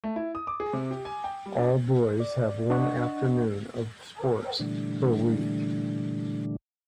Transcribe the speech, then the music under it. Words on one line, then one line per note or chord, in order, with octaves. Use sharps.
All boys have one afternoon of sports per week.
A3
E4
D#6
D6
G#4
C3
G4
G#5
G5
G3
D4
D5
D4 D#5 F#5 C#6
A#2 D3 E3 G3 A3 D4